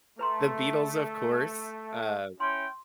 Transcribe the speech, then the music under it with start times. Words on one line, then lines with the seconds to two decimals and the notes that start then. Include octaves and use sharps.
The Beatles, of course, um,
0.19 A3 B4 A#5 C6
2.40 C#4 E4 G5 C6